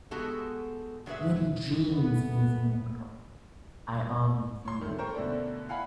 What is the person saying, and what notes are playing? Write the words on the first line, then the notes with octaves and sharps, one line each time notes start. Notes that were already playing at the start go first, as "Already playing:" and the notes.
Yet he dreams he is immortal, I argue feebly.
G#3 B3 F#4 G4 A4
A#2 F#3 G#4 B4 E5
A3 B3
C#5 C6
D#3 A3
A4 A#4 C5 G5 A#5 C#6
B2 D3 A3 C#4 D4
E4 F5 F#5 G#5 B5